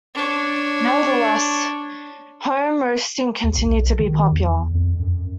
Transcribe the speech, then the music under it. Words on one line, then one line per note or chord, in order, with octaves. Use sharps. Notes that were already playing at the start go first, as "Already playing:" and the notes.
Nevertheless, home roasting continued to be popular.
D4 C#5
D#2
B1
D#3
E2
F2
F#2